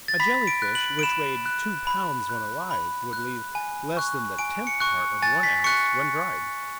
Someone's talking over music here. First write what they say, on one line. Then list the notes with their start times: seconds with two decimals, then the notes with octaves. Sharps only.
A Jelly-fish, which weighed two pounds when alive, would leave less than the tenth part of one ounce when dried!
0.08 A6
0.20 B5 B6
0.47 D7
0.62 F#6
0.75 F#7
0.99 D7
1.03 B5 E7
1.46 F#6
1.87 B5
2.29 F#6
2.71 B5
3.13 F#6
3.55 G#5
3.97 C#6 F#6
4.39 G#5 D7
4.67 C#7
4.80 C#6 F#6
5.22 G#5 A6
5.43 B6
5.64 C#6 F#6 C#7